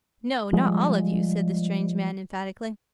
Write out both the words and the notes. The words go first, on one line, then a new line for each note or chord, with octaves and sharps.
'No, not all of you,' said the strange man emphatically.
F3 G3 G#3